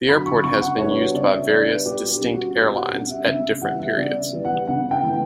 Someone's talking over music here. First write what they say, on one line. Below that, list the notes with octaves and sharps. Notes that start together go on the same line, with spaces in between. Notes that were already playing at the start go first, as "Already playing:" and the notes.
The airport has been used by various distinct airlines at different periods.
D3 F#3 B5
C#6
C#3 C#6
F#5
G3 B3 D4 C#5
F#4
C#3 D5
E5
G3 B3 D4 D5
B4
B2 G4
G4
G3 C#4
F#4
B2 G4
F#5
G3 C#4 F#5
E5
C#3 E5
E3 G3 B3 F#5
E5
C#3 D5
E3 G3 B3
F#5
C#3 F#5
G5
E3 A3